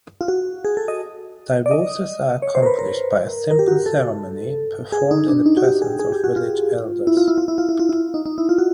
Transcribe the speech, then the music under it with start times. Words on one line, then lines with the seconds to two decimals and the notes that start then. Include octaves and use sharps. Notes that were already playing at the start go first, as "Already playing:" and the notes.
Divorces are accomplished by a simple ceremony performed in the presence of village elders.
0.21 F4
0.28 F#4
0.65 G#4
0.77 A4
0.88 D#5
1.66 D5
1.71 D#5
2.42 C#5
2.55 C5
2.62 A#4
2.66 B4
2.79 A#4
3.51 A#4
3.59 G4
3.68 F#4
3.86 A4
4.92 G#4
5.11 D#4
5.28 D4
5.46 D#4
5.57 F#4
5.64 G4
5.82 G#4
5.99 G#4
6.12 G4
6.24 F#4
6.36 F4
7.07 E4
7.17 F4
7.28 E4
7.38 F4
7.48 E4
7.58 F4
7.69 E4
7.79 F4
7.89 E4
8.14 D#4
8.26 D#4
8.38 E4
8.49 F4
8.58 F#4